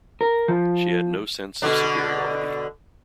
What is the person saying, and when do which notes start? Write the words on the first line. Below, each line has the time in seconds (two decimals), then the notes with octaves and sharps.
She had no sense of superiority.
0.21 A#4
0.48 F3
1.62 B2 D3 D4